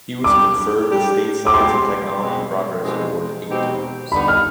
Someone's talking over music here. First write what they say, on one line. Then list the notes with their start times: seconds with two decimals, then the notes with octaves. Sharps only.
He was conferred the State Science and Technology Progress Award eight times.
0.24 G3 D4 G4 D6
0.88 G3 D4 G4
1.47 D6
1.53 B2 G#3 C4 G4 C6
2.19 B2 G#3 C4 G4
2.83 B2 G#3 C4 D#4 G4
3.48 B2 G#3 C4 D#4 G4
4.12 D3 G3 B3 D#4 B5
4.28 F6